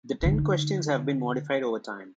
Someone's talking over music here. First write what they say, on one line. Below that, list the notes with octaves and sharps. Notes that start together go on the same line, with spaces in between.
The ten questions have been modified over time.
D3 D#4